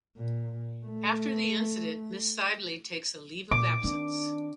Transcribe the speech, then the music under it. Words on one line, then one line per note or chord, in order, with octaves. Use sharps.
After the incident, Miss Sidley takes a leave of absence.
A#2
A3
A#2 D6
D#3 C4 D4